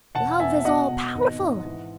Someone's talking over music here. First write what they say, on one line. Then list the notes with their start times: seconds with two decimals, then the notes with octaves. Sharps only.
Love is all-powerful.
0.15 E1 F#5 A5
0.40 E2 E5 G#5
0.59 E5
0.65 B2 D#5 F#5
0.90 B2
1.15 G#1
1.40 G#2
1.66 E3